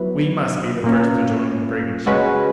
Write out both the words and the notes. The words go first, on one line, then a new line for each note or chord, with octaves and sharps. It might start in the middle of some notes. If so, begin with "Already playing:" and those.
We must be the first to join the brigand ship.
Already playing: F#3 B3 E4 B4
A#2 A#3 C#4
C#3 G#3 C#4 F#4 B4